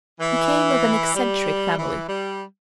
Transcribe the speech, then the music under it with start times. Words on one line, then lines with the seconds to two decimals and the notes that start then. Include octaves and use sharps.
He came of an eccentric family.
0.19 E3
1.14 G3
1.77 E3
2.08 G3